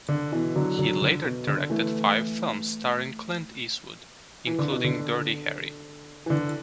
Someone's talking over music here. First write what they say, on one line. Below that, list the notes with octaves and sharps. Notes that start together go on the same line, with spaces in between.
He later directed five films starring Clint Eastwood, including "Dirty Harry".
D3
B2 E3
D3 F#3
D3 F#3
D3
B2
D3
E3 A3
E3
D3
B2
D3
E3
D3